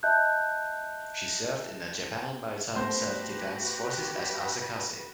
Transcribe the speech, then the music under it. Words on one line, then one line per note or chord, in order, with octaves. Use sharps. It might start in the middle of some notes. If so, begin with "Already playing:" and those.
She served in the Japan Maritime Self-Defense Force as Asakaze.
D#5 E5 A5 F#6 G6
A3 B3 F#4 G4 B4 C5 A#6